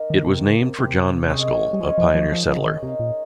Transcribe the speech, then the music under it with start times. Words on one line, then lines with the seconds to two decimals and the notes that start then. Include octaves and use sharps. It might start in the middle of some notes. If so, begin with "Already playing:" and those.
It was named for John Maskell, a pioneer settler.
Already playing: A#3 D#4 A#4
0.10 D#3
0.27 C3 C4 G4 C5
0.40 D#3
0.44 C#3
0.61 C3
0.78 C3 C4 G4 C5
1.29 G#3 C#4 G#4 C#5
1.73 G3
1.80 F3 G#3 C#4 G#4 C#5
1.98 F3
2.15 F3
2.31 F3 D#4 A#4 F5
2.49 F3
2.58 C#3
2.65 D#3
2.82 C3 D#4 A#4 F5
2.99 A#2